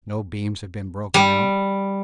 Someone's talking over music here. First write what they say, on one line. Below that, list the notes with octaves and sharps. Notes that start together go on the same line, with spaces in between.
No beams have been broken out.
G3